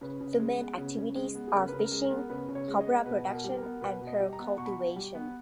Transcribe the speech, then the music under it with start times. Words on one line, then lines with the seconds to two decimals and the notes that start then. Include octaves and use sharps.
The main activities are fishing, copra production and pearl cultivation.
0.01 C#3 B4
0.21 C#3
0.39 G#3
0.58 B3
0.78 C#3
0.97 C#3
1.16 G#3
1.35 B3
1.48 G#4
1.54 C#3 A#4
1.68 C#3 B4
1.79 A#4
1.91 G#3
2.04 A#4
2.11 B3
2.30 C#3 B4
2.49 C#3
2.55 C#5
2.68 G#3
2.81 D#5
2.87 B3
3.06 B2 B4
3.25 B2
3.31 A#4
3.44 G3
3.57 A#4
3.63 B3
3.81 B2 B4
4.01 B2
4.07 D#5
4.20 G3
4.33 A#5
4.39 B3
4.58 B2 C#6
4.66 B5
4.73 B2 C#6
4.96 G3
5.15 B3